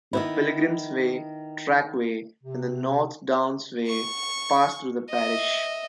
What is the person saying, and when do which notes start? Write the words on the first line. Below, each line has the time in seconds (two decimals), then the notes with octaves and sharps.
The Pilgrims' Way trackway and the North Downs Way pass through the parish.
0.13 D#3 B3 E4
2.43 C3
3.88 C#6
5.10 D#5 E5